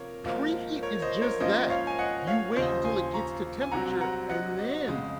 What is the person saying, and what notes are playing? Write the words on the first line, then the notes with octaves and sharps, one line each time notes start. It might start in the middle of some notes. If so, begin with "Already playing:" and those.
Preheat is just that, you wait until it gets to temperature, and then
Already playing: C3 F3 A#3 A#4 C#5
G#1 G#2 F3 A#3
A#4 C#5
C5 D#5
A#4 C#5
G#2 F3 A#3 C#4 C5 D#5
C#5 F5
G#5
D#5 F#5
C#5 F5
D#2 C#3 F3 C5 D#5
G#5 C6
A#5 C#6
G#5
C2 C3 F#3 C4 F#5 A#5
F#5 A#5
D#5 F#5
C5 D#5
F2 C#3 G#3